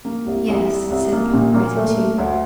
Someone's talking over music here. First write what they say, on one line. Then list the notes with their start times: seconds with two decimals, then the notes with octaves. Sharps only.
'Yes,' said Puck, rising too.
0.05 A#3
0.26 C2
0.48 C2
0.69 G3
0.90 C2
1.12 A#3
1.33 A#2
1.54 A#3
1.76 A3
1.98 A3
2.18 D2